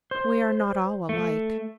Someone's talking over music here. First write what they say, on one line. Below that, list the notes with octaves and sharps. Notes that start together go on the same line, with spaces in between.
We are not all alike.
C5
A3